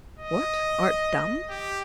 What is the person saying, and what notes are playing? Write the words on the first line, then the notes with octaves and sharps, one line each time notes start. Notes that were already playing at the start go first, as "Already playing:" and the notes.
What, art dumb?
D#5
G4